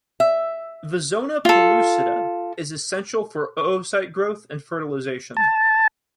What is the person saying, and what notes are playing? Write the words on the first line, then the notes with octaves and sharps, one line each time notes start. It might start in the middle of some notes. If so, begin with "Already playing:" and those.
The zona pellucida is essential for oocyte growth and fertilization.
E5
F4 A4
A5